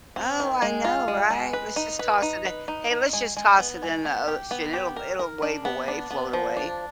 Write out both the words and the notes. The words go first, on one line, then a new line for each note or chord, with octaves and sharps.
Oh, I know, right? Let's just toss it in. Hey, let's just toss it in the ocean. It'll it'll wave away, float away.
C4
D#3
G#3
F4
G#3
G#3
B4
D#4
B4
D#4
B4
D#4
D#4
G#3
G#3
B3
G#3
B3
G4
B3
G4
A#4
A#4
D4
B3
D4
B3
F3
D4